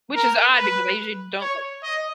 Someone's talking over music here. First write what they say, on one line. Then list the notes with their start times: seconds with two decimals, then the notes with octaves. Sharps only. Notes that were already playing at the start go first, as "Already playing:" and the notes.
Which is odd because I usually don't like it.
0.15 A#4
0.57 B4
1.41 C#5
1.83 D#5